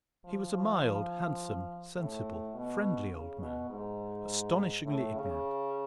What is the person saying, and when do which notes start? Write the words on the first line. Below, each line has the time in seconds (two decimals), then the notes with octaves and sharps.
He was a mild, handsome, sensible, friendly old man, astonishingly ignorant.
0.25 F3
0.53 F3
0.82 F3
1.98 A2
2.55 B2
3.13 C#3
3.41 B2
3.70 G#2
4.86 A2
5.15 C#3